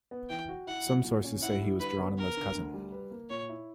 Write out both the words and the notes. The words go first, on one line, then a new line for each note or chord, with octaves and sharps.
Some sources say he was Geronimo's cousin.
B3
E3 G5
F#4
E4 F#5
F#3
A#2
C#4
E4 F#5
G3
D3 B4
B3
B3 A#4
D3
D2
G3
B4
A#3
A#2 C#5
E4